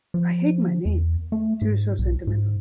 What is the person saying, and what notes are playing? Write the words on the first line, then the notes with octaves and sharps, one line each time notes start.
I hate my name, too — so sentimental!
F3
E2
A3
G#2
B1
G#2